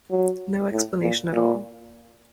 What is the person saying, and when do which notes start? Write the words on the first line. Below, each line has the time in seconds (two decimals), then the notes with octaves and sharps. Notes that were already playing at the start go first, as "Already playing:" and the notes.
No explanation at all.
0.11 F#3
0.72 A2
1.02 A#2
1.32 A#2